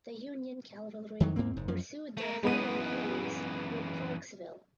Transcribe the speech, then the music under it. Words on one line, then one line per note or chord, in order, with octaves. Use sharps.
The Union cavalry pursued their fleeing enemies through Clarksville.
F2 D#3 E3 F#3
E2 G#2 A#3 C4
F#1 G#2
F#2 F3
A3 A#4
F#2 E3 G#3 B3 D#7